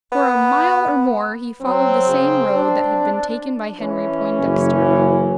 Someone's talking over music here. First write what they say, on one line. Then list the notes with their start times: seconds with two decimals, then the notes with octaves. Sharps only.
For a mile or more he followed the same road, that had been taken by Henry Poindexter.
0.12 B3
1.61 F#3 C4
2.08 C#3
2.51 D4
3.80 E3 C#4
4.39 F#1